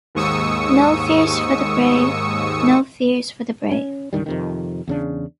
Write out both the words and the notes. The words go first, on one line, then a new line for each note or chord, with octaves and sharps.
No fears for the brave; no fears for the brave.
D#2 G#2 C#6 D#6 E6 C#7
C#4
C#2 G2 D#3 G3
F2 C3 D#3
E2 C#3 D4